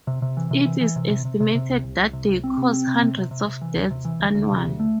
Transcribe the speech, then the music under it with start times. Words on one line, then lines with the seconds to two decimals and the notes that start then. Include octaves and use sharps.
It is estimated that they cause hundreds of deaths annually.
0.07 C3
0.22 C3
0.37 E3
0.51 C3
0.65 E3
0.81 E3
0.96 C3
1.10 C3
1.25 C3
1.40 C3
1.55 C3
1.69 C2
1.84 C2
1.99 C2
2.13 C3
2.29 C2
2.44 C4
2.57 C3
2.73 C4
2.87 C3
3.02 C3
3.17 C3
3.31 C3
3.46 C3
3.61 E3
3.76 D2
3.91 C3
4.05 E3
4.20 D2
4.35 D2
4.50 C3
4.64 D2
4.80 A3